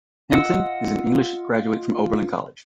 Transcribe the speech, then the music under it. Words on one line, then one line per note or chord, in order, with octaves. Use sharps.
Hamilton is an English graduate from Oberlin College.
F4 D#5 F#5 E6